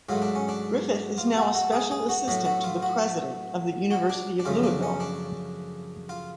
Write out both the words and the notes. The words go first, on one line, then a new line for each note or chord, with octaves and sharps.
Griffith is now a special assistant to the President of the University of Louisville.
G#2 F#3 A3 F4
D4
C#4
D4
F4
F#4
F#4
G#4
G#4
F#4
A2 F#3 A3 F#4
F#4
F4
F#4
F#4
D4
D4
F#2 C#3 F3 A3 F4
D4
C#4
D4
F4